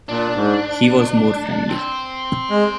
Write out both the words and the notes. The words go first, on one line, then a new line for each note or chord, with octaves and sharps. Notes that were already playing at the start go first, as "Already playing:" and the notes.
He was more friendly.
A#2 D4
G#2
C4
G#3